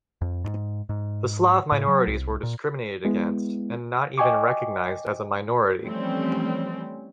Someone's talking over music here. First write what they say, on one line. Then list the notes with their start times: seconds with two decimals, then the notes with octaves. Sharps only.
The slav minorities were discriminated against, and not even recognised as a minority.
0.21 F2
0.44 G#2
0.89 G#2
1.72 A2
1.88 F#3
2.07 C2
2.43 A#2
3.05 G#3 B3 E4
4.18 D#5 G5 G#5 C#6 D6
5.83 E3 F3 G3 A3 C4 C#4